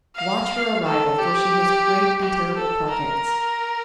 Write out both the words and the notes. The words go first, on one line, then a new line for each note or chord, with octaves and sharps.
Watch her arrival, for she has great and terrible projects.
F5
A4
G4
G4
A4
A#4